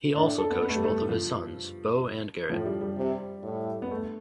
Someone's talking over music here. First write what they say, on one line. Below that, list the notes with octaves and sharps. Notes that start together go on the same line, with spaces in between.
He also coached both of his sons, Bo and Garrett.
A2 D4
A4
B3
B3
A3
G3
A3
F3
A2 F3
G3
G3
C3
A2
B3
A3